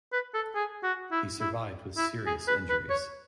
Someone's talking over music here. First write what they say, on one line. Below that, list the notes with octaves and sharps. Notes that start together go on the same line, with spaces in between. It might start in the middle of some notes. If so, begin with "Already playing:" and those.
He survived with serious injuries.
B4
A4
G#4
F#4
E4
E4
E4
G#4
B4
B4
C#5